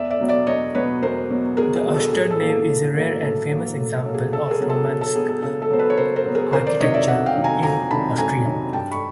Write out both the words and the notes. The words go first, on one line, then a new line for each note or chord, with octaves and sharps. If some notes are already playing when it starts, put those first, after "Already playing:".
The austere nave is a rare, and famous, example of Romanesque architecture in Austria.
Already playing: E2 D5 E5
D5 E5
B2 F#3 B3
D5 E5
E2 C#5 D#5
B2 F#3 B3 B4 C#5
E2 A#4 C5
B2 F#3 B3
E2 G#4 A#4
G#4
B2 F#3 B3
A4
A2 G#4
A4
F#3 A#3
A4
A2
F#3 A#3
A2 A4
F#3 A#3
A2
A4
F#3 A#3
G#4
C#3 A4
G#4 A#4
F#3 B3
A4
C#3
A4
F#3 B3 G#4
A4
C#3 A4
A4
F#3 B3 C5
A4 B4
C#5
C#3 A#4 C5
A#4 C5
F#3 B3
G#4 A#4
F2 A#4 C5
C5 D5
C3 D#3 F#3 C#5 D#5
D5 E5
F2 E5 F#5
F5 G5
C3 D#3 F#3
G#5 A#5
F2 G#5 A#5
C3 D#3 F#3 A5 B5
F2 G#5 A#5
C3 D#3 F#3
G2 G5 A5
B5 C#6